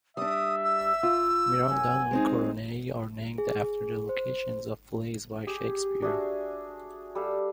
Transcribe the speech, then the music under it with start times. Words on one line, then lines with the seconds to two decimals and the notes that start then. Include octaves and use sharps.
Mirandan coronae are named after the locations of plays by Shakespeare.
0.17 G3 D4 E5 D#6
0.64 E6
1.03 F4
1.71 F#2 G#5
2.11 G#3 C4 D#4
3.38 G#4
4.09 C5
5.47 G4 G#4
6.02 D4 F#4 G#4 E5
7.15 G3 A4 F5